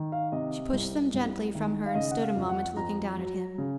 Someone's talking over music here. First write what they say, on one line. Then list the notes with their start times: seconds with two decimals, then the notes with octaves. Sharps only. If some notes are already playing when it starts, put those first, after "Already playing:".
She pushed them gently from her and stood a moment looking down at him.
Already playing: D#3
0.12 F5
0.32 C3 D#5
0.73 C2
1.14 C2
1.55 D#3
1.86 F5
1.95 C#3 D#5
2.11 F#5
2.23 F5
2.36 F2
2.49 F#5
2.77 F2 A#5
3.17 F#3
3.58 C#3